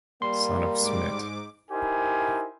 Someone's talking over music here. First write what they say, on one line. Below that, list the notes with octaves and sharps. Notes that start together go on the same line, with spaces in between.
Son of Smt.
G3 A#3 C6
G#2 D6
D#4 E4 G4 A#4 C5 G#5